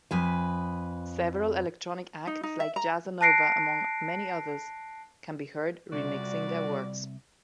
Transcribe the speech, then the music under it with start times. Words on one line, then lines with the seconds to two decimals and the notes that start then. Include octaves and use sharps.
Several electronic acts like Jazzanova among many others, can be heard remixing their works.
0.11 F2 B4 G#5
2.27 D#4
2.43 D#4
2.60 E5
2.76 A#5
3.21 A5 F#6 A#6 C7 D7
5.92 C2 F2 G3 F#4 D5